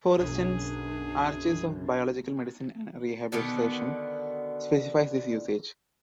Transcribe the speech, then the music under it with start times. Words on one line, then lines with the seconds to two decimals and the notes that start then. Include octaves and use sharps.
For instance, "Archives of biological Medicine and Rehabilitation" specifies this usage.
0.17 B1 F#2 D4 G#4
3.32 B2 D3 D#3 B3